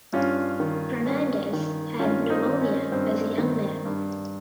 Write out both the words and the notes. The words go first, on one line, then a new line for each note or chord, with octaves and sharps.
Hernandez had pneumonia as young man.
G2 C#4 F4
D#3
G2 C#4
D#3
G2 C#4 F4
C4 D#4
D#3
C#4
G2 C4
D#3
G2